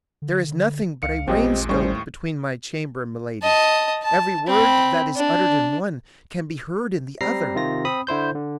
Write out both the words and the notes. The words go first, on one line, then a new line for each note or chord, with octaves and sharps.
"There is nothing but a wainscot between my chamber and Milady's; every word that is uttered in one can be heard in the other."
D3
C#2 F5 C#7
A1 D#2 A#2 G#3 C4 G4 D#5
D#2 A2 G3 C#4 C5 C#6
D#5 A5
A5
C4 B5
D4
G3 C4 A#5 A#6 C7
C3 D#3 F4 A#6
C4 B5 D#6
D3 E4 C5 G6
D3